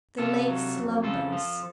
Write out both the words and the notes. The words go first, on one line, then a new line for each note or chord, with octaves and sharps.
The lake slumbers.
C3 F4 A4
F#3
F2
C#3 F4 A4
F3